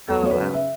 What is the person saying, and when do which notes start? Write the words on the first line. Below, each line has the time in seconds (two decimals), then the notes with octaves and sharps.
Oh, wow.
0.08 E2 A4
0.23 F#3 C#5
0.31 B4
0.39 C#3
0.54 E5